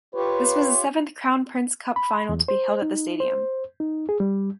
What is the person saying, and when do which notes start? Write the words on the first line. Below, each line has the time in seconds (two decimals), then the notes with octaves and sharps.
This was the seventh Crown Prince Cup final to be held at the stadium.
0.15 F4 G4 B4 C#5
1.96 B5
2.29 E2
2.48 C5
2.82 D#4
3.20 C5
3.80 D#4
4.09 G#4
4.20 G3